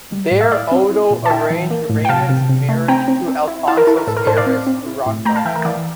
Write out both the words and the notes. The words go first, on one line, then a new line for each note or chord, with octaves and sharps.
There Odo arranged Raymond's marriage to Alfonso's heiress, Urraca.
G3
A2
E5
E4 D5 F5
C4
E4
A#2
A5
E4 E5 G5
E3
A#3
A2
G5
C3 F5 A5
C3
C3
A3
C4 G5 A#5
C4
C4
E4
E4 F5 A5
A#4
E4 A4
A#4
A2 A4
A#4
A2 A4 C5
D5 F5
C4
C4
E4
A2
A3 G5 A#5
F5 A5
E3 E5 G5
A#4
E3 D5 F5